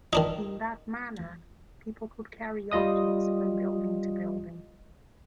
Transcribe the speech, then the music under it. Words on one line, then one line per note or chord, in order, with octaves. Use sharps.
In that manner people could carry objects from building to building.
D#3 D4 D#4
G3 F4 D#5 D#6